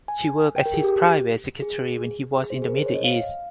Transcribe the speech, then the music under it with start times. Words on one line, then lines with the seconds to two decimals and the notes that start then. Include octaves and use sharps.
She worked as his private secretary when he was in the Middle east.
0.08 G#5
0.56 G5
0.66 A#4
0.74 G#4
0.83 G4
1.62 G#4
2.33 G#4
2.50 C5
2.62 G#4
2.68 A#4
2.77 C5
2.86 C#5
2.94 D#5
3.04 F5